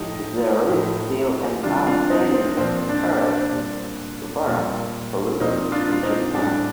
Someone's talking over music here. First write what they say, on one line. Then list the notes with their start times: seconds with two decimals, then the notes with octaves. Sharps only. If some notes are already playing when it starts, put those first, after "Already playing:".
There is still an outstanding arrest warrant for Lucas in Japan.
Already playing: A2 F3 D#4 G4
0.69 A2 F3
1.63 C3 D#3 G3 D4 F4
1.87 D4 F4
2.10 C4 D#4
2.34 C4
2.57 A#2 F3 C4
2.89 D4
3.21 D4
3.52 A#2 G3
4.46 A#2 G3
5.40 A#2 F3 C4 D#4
5.72 D4 F4
5.92 F4
6.03 C4 D#4
6.34 A2 G3 D4